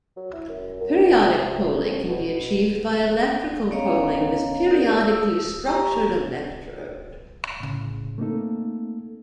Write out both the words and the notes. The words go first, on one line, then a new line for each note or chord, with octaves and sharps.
Periodic poling can be achieved by electrical poling with periodically structured electrode.
F#3
E4
F#2
F#2
C3
A3
B2
B3 C#4 C#5 D#5 F5 A#5
D#4 G4 A#4 D5
D#6 E6
G4 A#5 C#6
A2 C#3
A3 A#3 C4 D#4 A4